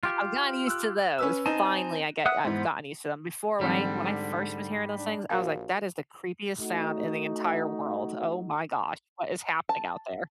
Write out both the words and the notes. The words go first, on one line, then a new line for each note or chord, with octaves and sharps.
I've gotten used to those. Finally, I get I've gotten used to them. Before, when I when I first was hearing those things, I was like, "That is the creepiest sound in the entire world. Oh my gosh, what is happening out there?"
F4 G4
E6 F#6
C#4 B4 E6
C4 D#4 G#5 A5
E5 F#5 D#6 F#6
G#2 E3 B3 C5
G#2 D3 E3 F#3 G3 C4
D4
A#1 F#4 A#4 F5
A3 D#4 F#4
A5